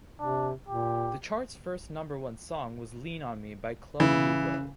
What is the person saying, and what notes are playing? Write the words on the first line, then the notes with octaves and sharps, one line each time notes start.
The chart's first number one song was "Lean on Me" by Club Nouveau.
C3 D4
A#2 G4
C#3 E3